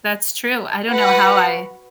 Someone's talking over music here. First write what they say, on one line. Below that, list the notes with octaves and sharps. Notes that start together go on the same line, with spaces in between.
That's true, I don't know how I
F#4 B4 F#5